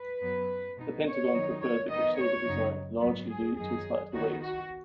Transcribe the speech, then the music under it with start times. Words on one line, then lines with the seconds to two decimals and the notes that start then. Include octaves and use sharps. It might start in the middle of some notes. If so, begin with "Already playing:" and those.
The Pentagon preferred the Crusader design, largely due to its lighter weight.
Already playing: B4
0.21 F#2 F#3 B3
0.77 B2 B3 D#4
1.05 C#5
1.33 D#3 F#3 D#4
1.61 C#5
1.89 D#3 B3 D#4 D#5
2.18 C#5
2.45 F#2 C#3 F#3 D#4
3.01 G#2 F#3 B3
3.30 G#4
3.58 F#2 D#3 F#3 D#4 G#4
4.14 D#3 B3 D#4 F#4
4.42 F#4